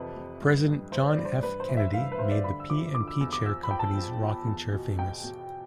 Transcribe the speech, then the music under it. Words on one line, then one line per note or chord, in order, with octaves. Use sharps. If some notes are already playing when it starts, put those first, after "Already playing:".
President John F. Kennedy made the P and P Chair Company's rocking chair famous.
Already playing: F2 C3 E3 B4 A5
F2
G2
G2
E3 C5
D5
G2
C5
G2 B4
C5
E3
E5
G2 F5
B4
G2 C5
D5
D3 B5
E6
F3 D6
D3 D6
E6
E2 E6
D6
F3 E6
B5
F3 G5
A5
F3
F3
E2
B2
B2 G5
B2